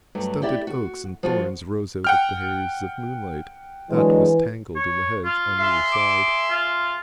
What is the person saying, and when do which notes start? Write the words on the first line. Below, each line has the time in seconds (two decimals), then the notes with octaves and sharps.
Stunted oaks and thorns rose out of the haze of moonlight that was tangled in the hedge on either side.
0.15 G2 F#3 A3
0.42 E4 G4 D5 E5
0.67 F#4
1.23 F3 F4 F#4
2.04 F#5 G5 F6
3.91 D3 E3 F#3 G#3
4.76 C#5
5.25 F4
5.58 G#4 E5 C6
5.92 D6
6.50 F4